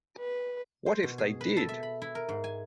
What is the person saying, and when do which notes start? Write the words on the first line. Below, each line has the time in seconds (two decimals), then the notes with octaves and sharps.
What if they did!
0.20 B4
0.86 C5
1.03 B2
1.18 G#4
1.41 B4
1.57 A4
1.69 E5
1.83 B5
2.02 E4
2.15 A#4
2.29 G#2
2.44 G#5